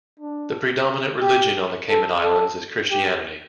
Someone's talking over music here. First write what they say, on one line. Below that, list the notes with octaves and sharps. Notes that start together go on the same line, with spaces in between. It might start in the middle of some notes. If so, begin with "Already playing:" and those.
The predominant religion on the Cayman Islands is Christianity.
D4
G4
A4
A4
G4